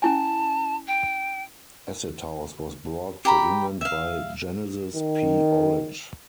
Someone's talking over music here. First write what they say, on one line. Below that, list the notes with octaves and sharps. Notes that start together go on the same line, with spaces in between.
Acid house was brought to England by Genesis P-Orridge.
C#4 E4 G#5 A5
G5
G4 A#5 B5
E5 F5
D#3